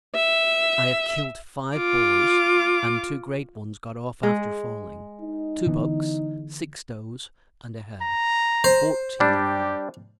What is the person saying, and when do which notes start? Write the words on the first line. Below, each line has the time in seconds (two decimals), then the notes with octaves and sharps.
I have killed five boars, and two great ones got off after falling; two bucks; six does; and a hare: fourteen in all.
0.15 E5
1.77 F4 D6
4.23 G#3
5.21 D#4
5.67 D3 E3 B3
8.02 A#5
8.64 C5
9.20 G3 D4 G4